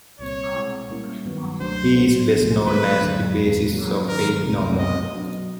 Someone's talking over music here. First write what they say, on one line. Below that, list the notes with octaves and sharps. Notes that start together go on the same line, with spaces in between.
He is best known as the bassist of Faith No More.
C2 A#2 G3 C4 C#5
B2 G#3 C4 E4
A#2 G3 A#3 C#4 E4
G2 D#3 F#3 B3
C#2 B2 F#3 A3 D4 C5
A#2 F#3 A3 D4 F#4
C2 A#2 F3 A3 D4
D2 D3 F#3 A#3 B4
F#2 D3 F#3
E2 B2 G#3
A#2 F#3 A#3 C#4
G2 D#3 F#3 A#4
C#2 C3 F3 A3
B2 F#3 B3 D#5
B2 F#3 B3 D4 F#4